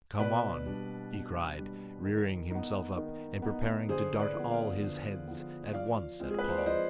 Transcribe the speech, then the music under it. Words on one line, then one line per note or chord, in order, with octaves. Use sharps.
'Come on,' he cried, rearing himself up and preparing to dart all his heads at once at Paul.
B2 B4 D5
G3 D4
B2
G3 D4
D#3
B3 D#4
D#3
B3 D#4
D3 G#4 C5
B4 D5
F3 B3
D5 F5
D3
F3 B3
F3 D5 F5
G#3 C4 F4
G#4
B4
C5
D5
F3 C5 D#5